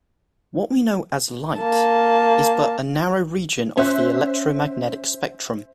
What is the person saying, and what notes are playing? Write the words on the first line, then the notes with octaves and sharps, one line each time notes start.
What we know as "light" is but a narrow region of the electromagnetic spectrum.
A#3 A5
C#4 C5 E5 F#6